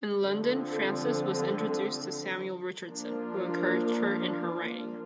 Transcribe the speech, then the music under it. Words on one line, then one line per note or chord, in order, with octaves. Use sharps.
In London Frances was introduced to Samuel Richardson, who encouraged her in her writing.
D3 F3 C4
F3 A#3 D4 F4 A#4